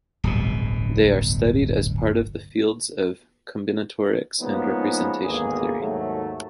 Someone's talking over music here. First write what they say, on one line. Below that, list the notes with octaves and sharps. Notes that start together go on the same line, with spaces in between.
They are studied as part of the fields of combinatorics and representation theory.
D1 G1 B2
F3 G#3 A#3 B3 C#4 D#4
G#1 D2 A#3 B3 G#4
D#2 G#2 F#3 A3